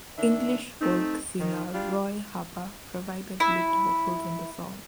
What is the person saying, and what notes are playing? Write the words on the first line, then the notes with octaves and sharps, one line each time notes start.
English folk singer Roy Harper provided lead vocals on the song.
D#3 D4 E5
A3 C4 D#4
D#3
G3 D4 F4 F#4
E4